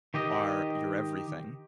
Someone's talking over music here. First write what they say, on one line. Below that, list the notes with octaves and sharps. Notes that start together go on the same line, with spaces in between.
are your everything.
D#3 G4 D#5